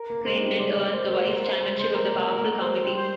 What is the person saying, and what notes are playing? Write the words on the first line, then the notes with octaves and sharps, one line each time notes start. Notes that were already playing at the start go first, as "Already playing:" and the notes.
Crane did earn the vice-chairmanship of the powerful committee.
Already playing: A#4
A#3
A#3
G#3 C5
G3
G#3 D5
G#3
A#3 C5
A#3
G#3 A#4
C5
G#3
G#3 C5
A#3 A#4
A#3
A#4
A#3
G#3 C5
G3
C5